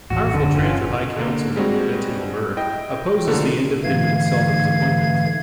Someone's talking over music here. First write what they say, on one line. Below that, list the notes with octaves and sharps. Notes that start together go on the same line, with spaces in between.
Powerful Trantor High Council member Betan Lamurk opposes the independent Seldon's appointment.
A#1 E2 A2 F#4
F1 D3
G1 C#4 F4
D3 A#3
G3 G#3 C4 F#4
E4 D#5 G5
B2 D3 D#3 F3 A3 A#3
G#2 D3 E3 A3 F5 G#6